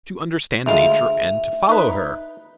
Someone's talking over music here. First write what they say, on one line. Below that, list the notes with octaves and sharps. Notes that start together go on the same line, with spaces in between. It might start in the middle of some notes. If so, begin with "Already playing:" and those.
To understand Nature, and to follow her!
D2 G#3 F4 E5 F7
D#4 B4